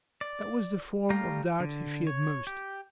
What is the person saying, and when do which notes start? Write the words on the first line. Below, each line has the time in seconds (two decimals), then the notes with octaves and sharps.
That was the form of doubt he feared most.
0.21 D5
1.10 G3 A3 G4 F5 A#5
1.60 D3
2.07 C#5
2.47 G4